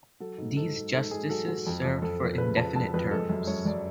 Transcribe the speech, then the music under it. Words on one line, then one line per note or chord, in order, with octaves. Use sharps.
These justices served for indefinite terms.
F#3 A4
G#2
G#2 A4
G#2
G#2 A4
G#2 G#4
F#3 A4
F#3
F2
F2
F2 A4
F3
C#3 B4
F3 A5
F2 A5
F2 B4
G#3 A4
F#2
F#2 C#5
F#2 D5